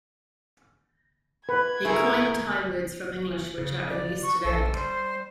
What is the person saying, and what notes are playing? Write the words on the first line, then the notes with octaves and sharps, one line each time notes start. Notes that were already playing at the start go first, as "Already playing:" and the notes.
He coined Thai words from English which are in use today.
B4 G#6
A3 E4 G#4 A#4
C#3
D5
C#6
A#1 A4
G3 C5